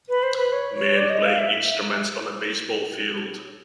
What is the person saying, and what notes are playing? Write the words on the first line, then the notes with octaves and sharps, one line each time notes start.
Men playing instruments on a baseball field.
B4
C5
B4
C#5
C#5
D5
D#5
F5
E5